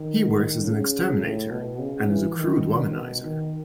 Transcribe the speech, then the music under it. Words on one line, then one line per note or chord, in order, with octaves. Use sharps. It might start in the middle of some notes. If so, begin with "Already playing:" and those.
He works as an exterminator and is a crude womanizer.
Already playing: D#3
C#3
A2
B2
C#3
E3
D#3
B2
D#3